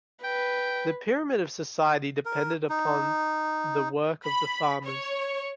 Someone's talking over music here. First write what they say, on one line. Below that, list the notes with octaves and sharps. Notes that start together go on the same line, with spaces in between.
The pyramid of society depended upon the work of the farmers.
B4 G5
A#4
D#4
B5
C#5